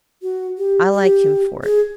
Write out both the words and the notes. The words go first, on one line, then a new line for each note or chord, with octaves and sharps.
I like him for it.'
F#4
G4
G4
G#4